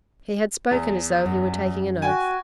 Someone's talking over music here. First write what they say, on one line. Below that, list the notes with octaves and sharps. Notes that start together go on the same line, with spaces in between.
He had spoken as though he were taking an oath.
E2
F#2
F#4 G5 G#5